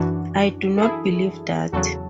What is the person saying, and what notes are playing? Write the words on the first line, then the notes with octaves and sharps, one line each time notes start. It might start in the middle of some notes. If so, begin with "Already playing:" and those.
I do not believe that.
Already playing: F#2 E3 D4 F#4
A4
E4 G#4
E2 C#3 F#3 F#4 A4